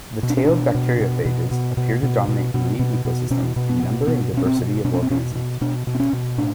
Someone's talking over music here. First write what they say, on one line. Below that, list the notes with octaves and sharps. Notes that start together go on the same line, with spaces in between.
The tailed bacteriophages appear to dominate marine ecosystems in number and diversity of organisms.
B2
D4
C#4
B2 D4
B2
B2
B2
B2
B2
B2
B2
B2
B2
B2
B2 C#4
B2
B3
B2
B2 B3
B2 C#4
C4
B2
B2 D4
C#4
C4
B2 C#4
B2
B2 D4
B2
C4
C#4
B2
A2 D4